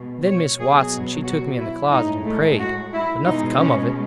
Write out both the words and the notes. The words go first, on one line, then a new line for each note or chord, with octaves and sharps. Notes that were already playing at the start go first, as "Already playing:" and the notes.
Then Miss Watson she took me in the closet and prayed, but nothing come of it.
Already playing: B2 G#3
C#5
B2 F#3 G#4
F#4
E4
A2 G#3 D#4
A3
F#4
E4
B2 G#3 D#4
C#4